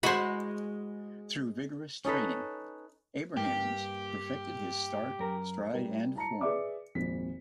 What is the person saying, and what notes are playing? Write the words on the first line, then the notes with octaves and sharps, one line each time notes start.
Through vigorous training, Abrahams perfected his start, stride and form.
G#3 F#4 C5 B5
C#4 D#4 A4 B4
G2 A#3 G4
F#2 A#4
G3 A#4
A5 A#5 C#7
G#4 B4 D5 E5 D6
G#1 F2 A#2 B6